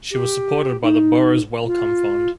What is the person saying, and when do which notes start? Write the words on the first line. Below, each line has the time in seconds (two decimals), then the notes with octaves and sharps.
She was supported by the Burroughs Wellcome fund.
0.10 G4
0.82 D#4
1.66 F4